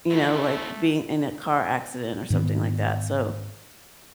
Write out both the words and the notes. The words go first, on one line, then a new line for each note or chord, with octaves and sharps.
you know, like being in a car accident or something like that. So,
F#2 A2 A3
G#2 D#3 B3